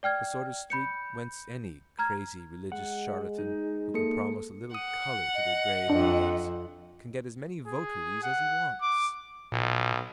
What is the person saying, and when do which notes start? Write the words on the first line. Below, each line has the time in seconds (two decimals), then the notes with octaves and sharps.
The sort of street whence any crazy religious charlatan who can promise a little colour to their grey lives can get as many votaries as he wants.
0.03 D5 G5 F6 G#6
0.70 B5 G6 C#7
1.99 A#5 F6 G#6
2.72 G#3 F#5
3.38 D#4
3.94 A#3 A4 C#7
4.74 F#5 D#6
5.34 D#5
5.90 F2 D4
7.67 G#4
8.24 F#5
8.81 D6
9.52 B1 A#2